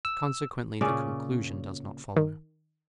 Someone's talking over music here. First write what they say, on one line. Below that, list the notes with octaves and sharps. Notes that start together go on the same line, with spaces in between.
Consequently the conclusion does not follow.
E6
A#2 C#3 C#4 D5
D#3